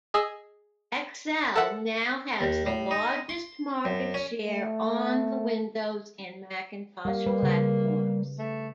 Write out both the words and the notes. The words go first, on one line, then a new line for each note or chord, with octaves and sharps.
Excel now has the largest market share on the Windows and Macintosh platforms.
G#4 D#5 G#5 D#6 E6
A4 A#4 E5 F#5
D#2
A2
D#4
C6
F#2
C#4
A3
G3 A#3 F5
G3 B4
C#3
A3